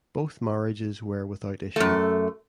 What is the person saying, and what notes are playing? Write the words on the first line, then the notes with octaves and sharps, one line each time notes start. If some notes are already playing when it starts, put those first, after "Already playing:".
Both marriages were without issue.
F#2 A3